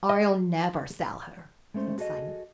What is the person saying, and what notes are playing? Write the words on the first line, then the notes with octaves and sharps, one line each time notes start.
"I'll never sell her," said Simon.
D#5
G#3 A3 C#4 C5
F#4 G#4 A4 C#5 D#5